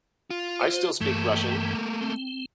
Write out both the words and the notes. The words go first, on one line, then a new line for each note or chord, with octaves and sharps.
I still speak Russian.
F4
C5
G2 E3 A3 A#3 G5
C4